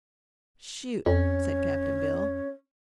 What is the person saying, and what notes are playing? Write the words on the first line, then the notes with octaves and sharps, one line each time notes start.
"Shoot," said Cap'n Bill.
F2 C#4 C#5